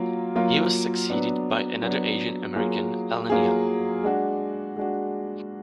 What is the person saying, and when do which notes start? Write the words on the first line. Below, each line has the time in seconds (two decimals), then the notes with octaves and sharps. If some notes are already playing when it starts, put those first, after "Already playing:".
He was succeeded by another Asian American Ellen Young.
Already playing: F#3 A#3 F4
0.36 F#3 A#3 F4
1.10 F#3 B3 D4
1.83 F#3 B3 D4
2.56 F#3 A#3 F4 G#4
3.29 F#3 A#3 F4 G#4
4.03 G#3 D4 F#4
4.77 G#3 D4 F#4